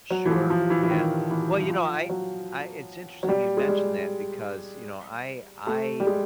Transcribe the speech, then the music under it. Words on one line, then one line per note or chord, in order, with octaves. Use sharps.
Sure, yeah, well, you know, I I it's interesting you mentioned that because, you know, I I
F#3
E3
F3
F3
E3
E3
D#3
E3
E3
F3
F#3
F#3
G3
G#3
G3
A3
G3
G#3